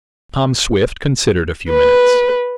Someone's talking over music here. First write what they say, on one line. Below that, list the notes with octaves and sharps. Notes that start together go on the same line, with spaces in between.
Tom Swift considered a few minutes.
B4